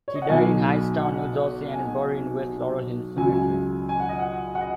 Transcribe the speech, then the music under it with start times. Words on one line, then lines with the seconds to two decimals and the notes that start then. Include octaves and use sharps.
She died in Hightstown, New Jersey and is buried in West Laurel Hill Cemetery.
0.08 C#5
0.15 D#5
0.22 F#5
0.28 B1 B2 F#3 D#4 G#5
1.02 F#5
1.73 G#5
3.16 C#2 C#3 F#3 G#5
3.35 G#5
3.89 G#5
4.00 F#5
4.09 D#5
4.19 F#5
4.55 F#5
4.61 D#5